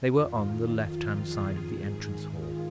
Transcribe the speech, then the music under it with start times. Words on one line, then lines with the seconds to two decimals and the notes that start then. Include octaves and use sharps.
They were on the left-hand side of the entrance-hall.
0.12 F2 D#3 F4
0.48 F4
0.86 F4
1.23 G#4
1.59 G#2 D#3
2.33 F4